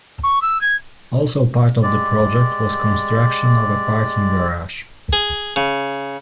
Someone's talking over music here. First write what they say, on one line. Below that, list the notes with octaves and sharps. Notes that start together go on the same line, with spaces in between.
Also part of the project was construction of a parking garage.
C#6
E6
G#6
G#3 G4 D5
G#4
C#3